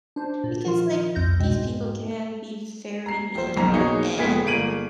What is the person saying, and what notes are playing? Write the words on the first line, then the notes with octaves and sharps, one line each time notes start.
because, like, these people can be very mean, and
D4 C5
A#2
D#3 F3 F4
C2 F2 G6 A#6
G#2 B2 G#3 C4
A#5 C7
A#1 C5
F#1 B1 F2 A#5
B2 A#3 D#4 G#4 C#5 C#7
F1 A#2 G#3 B3 G#4 B6
G1 G#3 A#3 D7 D#7 F#7